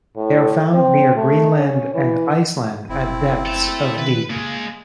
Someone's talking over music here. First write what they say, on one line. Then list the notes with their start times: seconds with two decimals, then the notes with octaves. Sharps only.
They are found near Greenland and Iceland at depths of deep.
0.16 A2
0.74 C4
1.17 A3
1.56 C#4
1.94 E3
2.89 F#1 C4 E4
3.46 A4 E5
3.98 D#3 B4
4.30 C#3 G#3 A#3